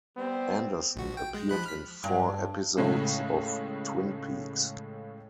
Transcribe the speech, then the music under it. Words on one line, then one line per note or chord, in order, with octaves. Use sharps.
Anderson appeared in four episodes of "Twin Peaks".
G3 B3 C4
A#1 F#4
G5
G#3
F3 B5 F#6
F6 B6
G2
A2 C#3 G#3 A3